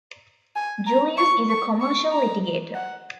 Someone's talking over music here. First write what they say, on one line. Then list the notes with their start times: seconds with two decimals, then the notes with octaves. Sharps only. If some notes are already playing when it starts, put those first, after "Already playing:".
Julius is a commercial litigator.
0.56 G#5
0.86 A#5
1.17 C#6
1.49 C#6
1.80 C#6
2.12 A#5
2.74 F#5